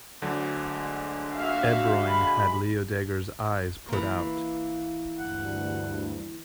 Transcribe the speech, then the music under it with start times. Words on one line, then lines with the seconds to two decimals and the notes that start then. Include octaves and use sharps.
Ebroin had Leodegar's eyes put out.
0.22 D2 D3 F#3
0.72 G#3
1.36 F#4 E5 F5
2.07 G#3 B5
3.88 E3 A#3
5.19 D2 G2 F#5